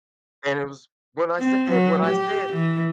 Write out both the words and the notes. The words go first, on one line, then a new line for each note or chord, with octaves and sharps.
And it was when I sa and when I said
C4
F#3
G4
E3